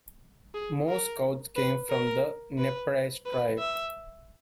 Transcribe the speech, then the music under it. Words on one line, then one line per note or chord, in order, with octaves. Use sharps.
Most scouts came from the Nez Perce tribe.
G#4
A#4
B4
A#4
B4
B4
E5